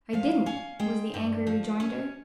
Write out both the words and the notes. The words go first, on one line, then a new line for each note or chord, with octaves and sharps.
"I didn't," was the angry rejoinder.
F3 F5
C#4 F5
G#3 G5
G2
F3
C#4